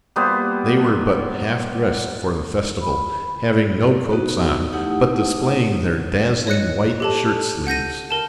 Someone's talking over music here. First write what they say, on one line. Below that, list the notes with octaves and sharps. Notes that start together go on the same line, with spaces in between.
They were but half dressed for the festival, having no coats on, but displaying their dazzling white shirt-sleeves.
G3 A#3 B3 C5
B5
B3 D#4 F#4
A3 D#4 E4 G4 F#5 D#6
C#5 D#5 F#6 C#7
G4 A4 A5
F#5 G6 A#6 D#7
A#4 A5